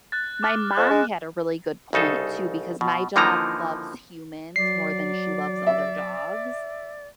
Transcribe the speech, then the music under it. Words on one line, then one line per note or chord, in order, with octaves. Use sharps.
My mom had a really good point too because my dog loves humans more than she loves other dogs,
F#6 A6
D6 F6 A6
F2 F#6 E7
G#3
C2 C#3 D#4 A4 C5
B2
D3 E3 F3 A#3 D#4 A#5
F#3 D5 C7
E5